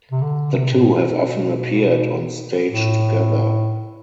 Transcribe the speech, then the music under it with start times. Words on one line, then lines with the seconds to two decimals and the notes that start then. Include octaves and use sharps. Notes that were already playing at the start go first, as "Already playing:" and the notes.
The two have often appeared on stage together.
0.11 C3
0.22 D3
0.52 C3
0.73 A2
0.84 B2
2.69 A2